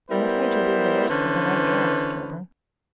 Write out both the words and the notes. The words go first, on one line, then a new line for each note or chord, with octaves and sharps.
I'm afraid you'll be the worse for the night air, Miss Kilburn.
G3 B3 E4 A#4 C5
D3 E3 C#4 B4 C5